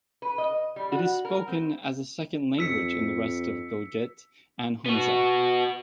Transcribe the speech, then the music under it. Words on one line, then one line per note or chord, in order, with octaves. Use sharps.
It is spoken as a second language in the rest of Gilgit and Hunza.
B4
D#5
G3
F#4
A#4
C4
F2 E6 B6 C#7
B3 F#4